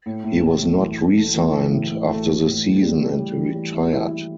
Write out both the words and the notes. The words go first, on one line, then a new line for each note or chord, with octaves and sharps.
He was not re-signed after the season and retired.
A2
A2
A2
A3
E3
A3
A3
E3
A3
A2
A2
A3
E3
A2
A2
G3
G3
G3
E3
G3
E4
E4
E4